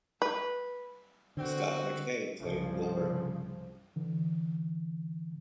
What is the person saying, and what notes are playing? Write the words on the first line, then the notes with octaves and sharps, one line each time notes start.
Scott McKay played Wilbur.
B4
D3 B3 C4 F#4
C2 G2 C#3 F3
D3 E3